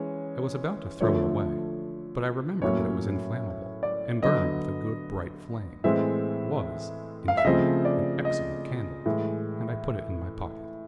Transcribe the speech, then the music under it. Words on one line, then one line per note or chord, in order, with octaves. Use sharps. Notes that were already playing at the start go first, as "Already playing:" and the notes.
I was about to throw it away, but I remembered that it was inflammable and burned with a good bright flame--was, in fact, an excellent candle--and I put it in my pocket.
Already playing: E3 G#3 C#4
D3 F3 A3 C#5
A2 F#3 A#3 C#4 C#5
D5
D3 F#3 B3 D#5
A2 E3 G#3 C4 E5
F5
E5
C#3 F3 A3 C4 D#5
D5
D#5
A2 E3 G#3